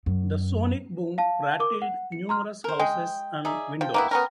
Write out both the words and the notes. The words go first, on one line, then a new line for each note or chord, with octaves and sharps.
The sonic boom rattled numerous houses and windows.
F#2
F5 A5
A#4 D6
F#5
C#7
A#5 C6 F6
A#4 C5
G#3 G5
D#4 G#4 D5 E5
F3 G5
A#3 B3 E4
B3 C#4 A#4